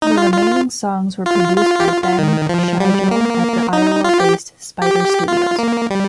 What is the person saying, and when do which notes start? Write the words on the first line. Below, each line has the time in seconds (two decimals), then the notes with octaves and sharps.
The remaining songs were produced by Ben Schigel at the Ohio-based Spider Studios.
0.02 D#4
0.17 F4
0.33 F4
1.26 F4
1.57 F4
1.80 G4
1.88 F4
2.03 F4
2.19 D#3
2.49 F3
2.80 G3
3.11 A#3
3.73 D#4
4.04 F4
4.20 G4
4.82 G4
5.28 F4
5.58 A#3
5.90 G3